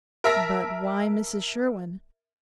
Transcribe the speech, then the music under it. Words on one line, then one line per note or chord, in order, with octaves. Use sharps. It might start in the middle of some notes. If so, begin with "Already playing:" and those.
'But why Mrs Sherwin?
A#4 E5 A5 A#6